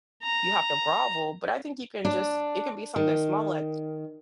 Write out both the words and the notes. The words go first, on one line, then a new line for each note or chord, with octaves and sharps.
you have to grovel, but I think you can just it can be something small like,
A#5
D4
D#3